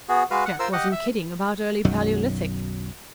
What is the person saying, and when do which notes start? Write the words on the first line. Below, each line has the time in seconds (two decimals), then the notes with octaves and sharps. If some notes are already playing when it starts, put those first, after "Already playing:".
Jack wasn't kidding about early Paleolithic.
0.09 B3 F#4 G#4
0.31 G#3 F#4 B4 F5
0.46 F#5
0.59 F4 A#4 C5 E6
0.73 G4 D#5 F#5
0.92 E5
1.85 B1 F#2 D#3 F#3